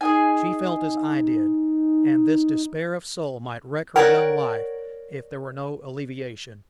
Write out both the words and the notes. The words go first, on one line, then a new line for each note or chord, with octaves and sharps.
She felt as I did, and this despair of soul might wreck her young life if there were no alleviation.
D#4 G#4 D#5 G#5
A#4 C#5 D5 F#5 G5 A#5